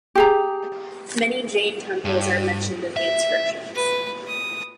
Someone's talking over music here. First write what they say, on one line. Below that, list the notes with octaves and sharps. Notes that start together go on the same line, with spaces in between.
Many Jain temples are mentioned in the inscriptions.
G4 G#4 A#5
G2
E5
B4
D#6